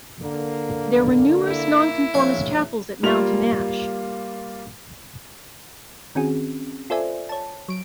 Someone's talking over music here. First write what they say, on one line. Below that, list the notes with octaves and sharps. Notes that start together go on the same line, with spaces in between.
There were numerous nonconformist chapels at Mountain Ash.
D3 A#3
E4
A#1 C#5 F5
G3 A#3 F4 F7
D#3 C4 C#4 F#4 G#4
F4 A4 C5 D5 E5 G#5
C#5 A5
F#3 D7